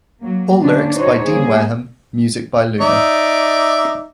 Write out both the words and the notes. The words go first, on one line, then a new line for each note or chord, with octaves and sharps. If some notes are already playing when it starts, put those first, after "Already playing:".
All lyrics by Dean Wareham, music by Luna.
F#3 A#3
D3 A#3 C#4 D4
D4 D#4 F#4 C5 C#5
G3 A#3 G#4
D#4 D5 E5